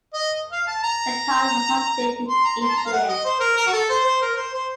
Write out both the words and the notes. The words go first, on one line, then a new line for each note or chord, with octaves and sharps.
The card was updated each year.
D#5
F5
A5
A#5
C6
A#5
C6
A5
A#5
F5
F#5
D#5
C5
A#4
A#4
F#4
A4
C5
C5
A#4
C5
C5